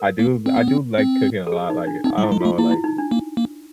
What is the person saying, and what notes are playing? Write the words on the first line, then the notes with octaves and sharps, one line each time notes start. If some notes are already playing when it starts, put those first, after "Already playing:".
I do I do like cooking a lot, like, I don't know, like, m
Already playing: A#4
A#3
C4
B3
C4
C4
A4
G#4
D#4
D4
C4 D#4
G3
E4
G#3
A3 F4
A#3 E4
E4
D#4
D4
A#3
A#3